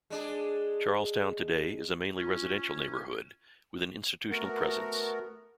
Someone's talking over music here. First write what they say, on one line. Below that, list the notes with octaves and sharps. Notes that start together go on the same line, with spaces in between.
Charlestown today is a mainly residential neighborhood with an institutional presence.
G#3 D4 G#4
C#4 F4
A3 B3 F#4 A#4